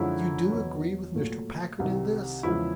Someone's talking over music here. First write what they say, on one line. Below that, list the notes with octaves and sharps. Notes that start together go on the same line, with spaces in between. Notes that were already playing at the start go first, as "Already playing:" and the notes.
"You do agree with Mr. Packard in this?"
Already playing: F#2 D3 F3 G#3 E4
E2 B2 F#3
A#2 F#3 A3
C2 C3 D#3
E2 C#3 F3 G#3 E4